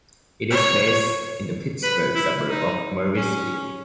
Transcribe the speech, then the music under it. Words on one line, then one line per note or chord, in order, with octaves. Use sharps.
It is based in the Pittsburgh suburb of Murrysville.
C#5
B4
E4
D#4
C#4